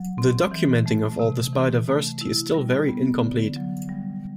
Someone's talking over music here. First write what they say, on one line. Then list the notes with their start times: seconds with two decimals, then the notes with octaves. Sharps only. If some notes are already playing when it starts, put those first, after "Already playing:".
The documenting of all this biodiversity is still very incomplete.
Already playing: F#3
0.18 C4
0.51 E3
0.86 A3
1.19 C3
1.53 E3
1.88 A3
2.21 E4
2.54 G3
2.89 B3
3.22 D3
3.56 F#3
3.89 G3